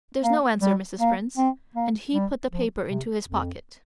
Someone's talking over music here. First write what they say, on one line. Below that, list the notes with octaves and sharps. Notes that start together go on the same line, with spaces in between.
"There's no answer, Mrs. Prince," and he put the paper into his pocket.
A#3
G3
A#3
C4
A#3
G3
F3
C3
F2